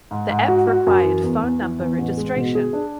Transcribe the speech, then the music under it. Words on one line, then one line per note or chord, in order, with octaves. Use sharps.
The app required phone number registration.
G#2
G#2
F#4
F#4
F#2
E3
E2
E2
E3
E2
A1
G#3
B2
G#4
D4